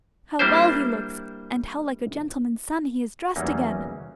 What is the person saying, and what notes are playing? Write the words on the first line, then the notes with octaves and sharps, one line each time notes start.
'How well he looks, and how like a gentleman's son he is dressed again!
G3 A#3 D4 E4 C5
E2 F#3 G3 A#3 C#4 D#4